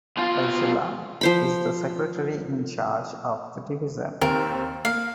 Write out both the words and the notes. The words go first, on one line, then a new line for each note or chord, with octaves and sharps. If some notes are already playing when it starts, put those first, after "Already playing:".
Faizullah is the Secretary in charge of the division.
B2 F4 F5
F3 C5 B5
D#2 D#3 C4 A#4
A#3 F5